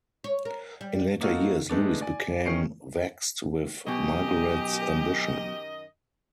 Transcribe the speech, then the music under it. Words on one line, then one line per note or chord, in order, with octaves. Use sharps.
In later years Louis became vexed with Margaret's ambition.
C#5
A#4
G3
A#3 D#4 F4 F#4 A4
G#3 A3 B3 D4
D5 G#5
D#3 C#4 C7 D7
B1 F#2 B2 D#3 G4 D#5 G#5